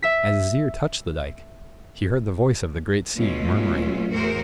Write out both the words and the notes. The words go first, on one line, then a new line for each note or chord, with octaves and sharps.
As his ear touched the dike, he heard the voice of the great sea, murmuring.
E5 B6
B2 F#3 G#3 A3 C#4 F4
E2 A2 F#4 G#4 A#4 C5